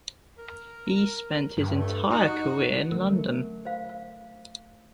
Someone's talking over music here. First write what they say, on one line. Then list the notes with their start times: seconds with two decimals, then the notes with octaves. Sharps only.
He spent his entire career in London.
0.38 A#4
1.57 G2
1.77 A3
2.10 D#4 F#4
2.91 D3 F#3 A3 C#4 A#4
3.65 C5 F5